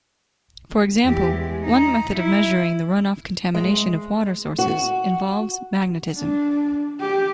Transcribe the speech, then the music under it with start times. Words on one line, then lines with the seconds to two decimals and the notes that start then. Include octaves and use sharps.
For example, one method of measuring the runoff contamination of water sources involves magnetism.
1.04 E2 G4
1.35 G#3
1.66 D#4
2.16 E4
3.54 G#3
4.59 F#4
6.16 D4
7.00 G4